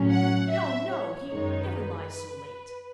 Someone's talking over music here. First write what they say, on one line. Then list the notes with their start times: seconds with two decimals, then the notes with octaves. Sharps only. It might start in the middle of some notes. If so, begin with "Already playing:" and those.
No--no--he never lies so late.
Already playing: A2 F#3 C#4
0.11 F#5
0.50 E5
0.89 C#5
1.28 F#2 D#3 G#3 D#4 C#5
1.67 B4